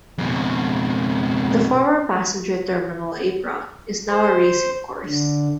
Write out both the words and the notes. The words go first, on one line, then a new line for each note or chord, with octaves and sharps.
The former passenger terminal apron is now a racing course.
F2 B2
C5
D3